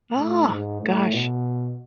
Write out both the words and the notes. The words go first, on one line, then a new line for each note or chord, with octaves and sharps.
Oh, gosh.
A2
G#2
A2
B2